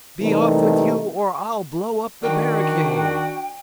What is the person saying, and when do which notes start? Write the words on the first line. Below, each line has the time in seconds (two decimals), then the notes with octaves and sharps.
"Be off with you, or I'll blow up the barricade!"
0.21 C3 E3 G3 A3 A#3 D#4
2.23 D#3 D4 F#4 G5